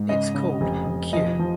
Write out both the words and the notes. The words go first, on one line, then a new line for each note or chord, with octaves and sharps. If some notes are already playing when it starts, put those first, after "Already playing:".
It is called "Kew".
Already playing: G#2
C#3 D#5
C#3
F1
F1
F3 D#5
F3